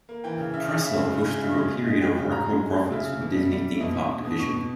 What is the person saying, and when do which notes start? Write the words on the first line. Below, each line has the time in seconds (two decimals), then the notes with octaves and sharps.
Pressler pushed through a period of record profits for the Disney theme park division.
0.09 A#3
0.24 E3 G5
0.38 C#3
0.53 C#3 E5
0.68 C#3
0.84 C#3 E5
0.98 G#3
1.14 C#3
1.28 G#3
1.42 C#3
1.58 G#3
1.72 G#3
1.87 G#3
2.02 G#3 G5
2.17 C#3
2.32 C#3 A#5
2.46 G#3
2.62 G#3
2.76 G#3
2.92 C#3 E5
3.06 C#3
3.21 B2
3.36 G3
3.51 G3
3.66 G3
3.74 E5
3.81 B2 D#5
3.95 B2 E5
4.10 B2
4.25 B2 D#6
4.39 B2 C#6
4.54 B2